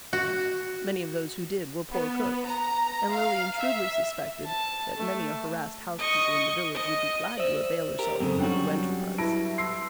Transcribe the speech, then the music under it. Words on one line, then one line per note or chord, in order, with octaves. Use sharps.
Many of those who did were poor cooks, and Lilian shrewdly suspected that many a harassed housekeeper in the village would be glad to avail herself of the new enterprise.
F#4
B3
A#5
F5
E5
A5
A3
D#5 C#6
D#5
C5 D5 E5
G4 A#4
F#2 A#2 C#3 C4 A4
F#3 G3 C#4 D4 F#4 G5
E4 B4 A5 A#6 D7
C6 E6 C7